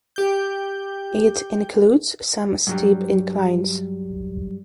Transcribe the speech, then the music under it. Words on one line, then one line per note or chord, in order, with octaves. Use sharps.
It includes some steep inclines.
G4 G6
G2 F#3 G3